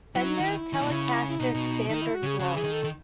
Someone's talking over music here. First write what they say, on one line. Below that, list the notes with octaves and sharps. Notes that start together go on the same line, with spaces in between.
Fender Telecaster Standard Blonde.
F#3 E4
D#4
D#3 E4
D#3
B2
C#3
E4
B2 D#4
B2
D#3 D#4
E4
F#4
C#3 G#4
C#3 F#4
E3 G#4
D#3
A4
D#3